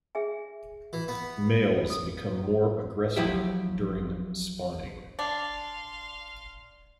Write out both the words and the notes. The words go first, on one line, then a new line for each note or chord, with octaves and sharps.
Males become more aggressive during spawning.
G#4 E5 G#5
E3
B3
D#6
F3 F#3 E4 G4 E5
D4 F5 C6